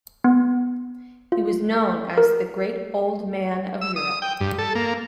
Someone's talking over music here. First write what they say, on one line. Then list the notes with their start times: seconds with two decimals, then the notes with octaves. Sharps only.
He was known as "The Great Old Man of Europe".
0.24 B3
1.32 F4
2.18 A#4
3.81 E6
3.96 D#6
4.22 G5
4.40 G2
4.58 A4
4.75 A#3